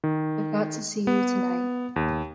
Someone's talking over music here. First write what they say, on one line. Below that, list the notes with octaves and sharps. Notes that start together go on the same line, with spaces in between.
I've got to see you tonight.
D#3
B3
D#2